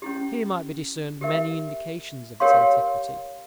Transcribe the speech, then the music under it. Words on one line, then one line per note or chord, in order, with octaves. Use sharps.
Here might be discerned many indications of its antiquity.
C#4 E4 G4
G4 A#4 E5
G4 A#4 C#5 F5 C6